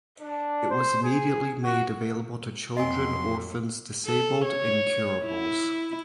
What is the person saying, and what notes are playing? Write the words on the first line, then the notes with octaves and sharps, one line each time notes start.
It was immediately made available to children, orphans, disabled, incurables.
D4
C5
G#4
F#4
F2 F#3 A#3 C4 D#5 G#5 C6
A4
C#5
E4